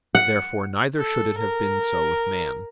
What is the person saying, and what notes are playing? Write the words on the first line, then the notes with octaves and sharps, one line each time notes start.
Therefore neither should it have been so with man.
F#5
A4
A#4